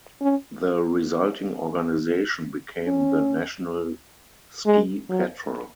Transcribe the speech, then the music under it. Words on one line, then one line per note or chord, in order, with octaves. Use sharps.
The resulting organization became the National Ski Patrol.
C#4
C#4
G#3
F#3